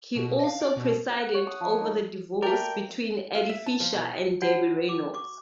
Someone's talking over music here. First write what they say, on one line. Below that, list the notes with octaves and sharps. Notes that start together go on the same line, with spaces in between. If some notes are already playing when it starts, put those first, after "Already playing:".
He also presided over the divorce between Eddie Fisher and Debbie Reynolds.
B2
D#5 F5
D5
B2
F#5
C#5
D#6
F3
D#4
A3 A#4 D5 G5
F5
E5
A5
F3
B2
F#4 C#5 F#5 A5
D6
C#6 D6